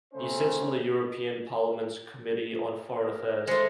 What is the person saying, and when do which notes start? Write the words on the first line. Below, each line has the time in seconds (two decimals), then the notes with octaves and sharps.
He sits on the European Parliament's Committee on Foreign Affairs.
0.13 C#3 A3 C4 C#4 C5
2.94 A#4
3.47 G#3 A3 C5